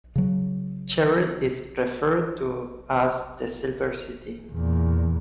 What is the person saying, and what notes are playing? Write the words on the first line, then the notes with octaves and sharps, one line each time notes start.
Sherrill is referred to as "The Silver City".
C#3 F#3
E2 A#2